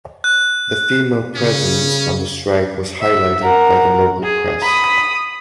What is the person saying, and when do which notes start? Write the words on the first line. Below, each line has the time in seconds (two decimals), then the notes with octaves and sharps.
The female presence on the strike was highlighted by the local press.
0.24 F#6
1.35 C#3 C#4
3.01 E5
3.42 A#4 F#5
4.23 G#4
4.62 B5 D#6